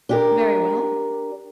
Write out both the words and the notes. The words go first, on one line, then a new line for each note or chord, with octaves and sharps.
'Very well.
D4 G4 A#4